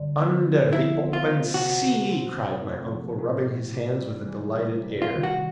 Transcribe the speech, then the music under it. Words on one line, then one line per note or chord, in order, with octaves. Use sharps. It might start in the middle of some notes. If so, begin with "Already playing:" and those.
"Under the open sea," cried my uncle, rubbing his hands with a delighted air.
Already playing: G2 D3
B3
B3
F3 E4
C4
F4
A3
C3 F#4
C3
C4
C3
A3
F3
A2
A2
D4
G3
E3
C3
G3
F4
D#3
F#4
D#3